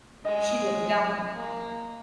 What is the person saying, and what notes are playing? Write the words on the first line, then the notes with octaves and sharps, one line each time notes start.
She'll be down.
G#3 D#5
A#3